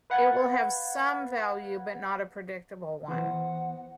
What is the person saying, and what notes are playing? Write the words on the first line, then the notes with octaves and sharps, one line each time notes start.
It will have "some" value, but not a predictable one.
B4 F5 F#5 B5 G#6 A6
E3 B3 C5 F#5